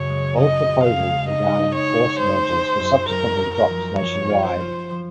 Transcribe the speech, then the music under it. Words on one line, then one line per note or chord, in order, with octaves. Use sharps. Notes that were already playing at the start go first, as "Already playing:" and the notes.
All proposals regarding force mergers were subsequently dropped nationwide.
Already playing: F#2 C#3 C#5
G#3
C#3 D#5
C#3
F5
G#3
D#4 D#5
D#4
C#5
D#4
G#3 C5
G#3
F#2
F#2 A#4
F#2
A#4
F3
F3 C#5
F4
C5
F4
F3